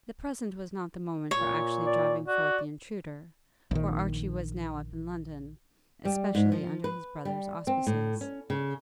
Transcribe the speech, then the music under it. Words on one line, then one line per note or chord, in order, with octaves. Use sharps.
The present was not the moment for actually driving forth the intruder, for Archie was now up in London, especially under his brother's auspices.
A#2 C#5
D5
F#4 D5
A#1 D#3
G3
G#2
F3
B4
G3
C4
A2
C#4
C#3